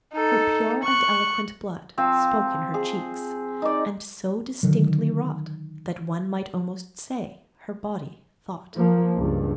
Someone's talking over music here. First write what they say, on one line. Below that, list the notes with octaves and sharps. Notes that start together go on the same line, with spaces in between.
"Her pure and eloquent blood Spoke in her cheeks, and so distinctly wrought, That one might almost say her body thought."
D#4 A4
C#6 F#6
F3 C4
G#4
D#4 D5
D3 D#3 F#3
F3 A#3
C#2 G2